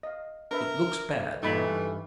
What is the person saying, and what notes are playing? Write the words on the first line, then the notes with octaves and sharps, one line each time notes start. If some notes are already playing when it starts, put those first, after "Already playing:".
It looks bad.
D#5 F5
D4 A#4 B4 E5
G2 A#2 E3 A3 D#4 B5
G2